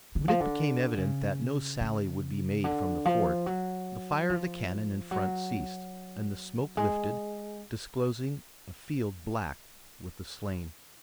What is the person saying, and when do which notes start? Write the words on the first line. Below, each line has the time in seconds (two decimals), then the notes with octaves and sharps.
When it became evident that no sally would be made from the fort, the fire of the cannon in front ceased, and the smoke lifted, disclosing a field black with the slain.
0.15 D3
0.28 F3
0.40 D3
0.97 C#3
1.81 C#3
2.64 D3
3.05 F3
3.46 F#3
4.30 F3
5.11 F#3
6.77 G#3